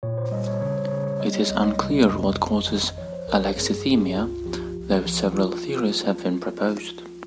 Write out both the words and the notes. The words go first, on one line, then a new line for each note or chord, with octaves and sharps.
It is unclear what causes alexithymia, though several theories have been proposed.
A#2 C#5
C5
G3 D#5
C#5
C#3 C#5
C5
C#3 C#5
C#5
G3 D#5
C#5
C2 D#5
D#5
C3
F2
G#1
D#3
F3 C#5
C5
A#1 A#4
A#4
G2 G#4
G1 G4
C#2 F4
F3 G4
C2
F3
F4